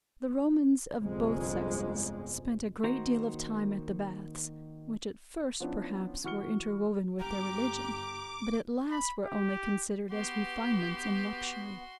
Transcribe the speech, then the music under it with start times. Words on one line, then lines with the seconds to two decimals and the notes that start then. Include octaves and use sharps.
The Romans, of both sexes, spent a great deal of time at the baths; which at first, perhaps, were interwoven with their religion, but at last were only considered as refinements in luxury.
0.99 G1 C2 F2 G#3
2.84 D#3 A#3 F#4 C5 A#5
5.60 F3 B3 C#4 D4 E4
6.24 E3 F#4 C#6 F6 C#7 G7
7.19 G1 G2 G4 A#5 D6
8.91 B5
9.25 G4
10.11 B3 F#4 G4 C6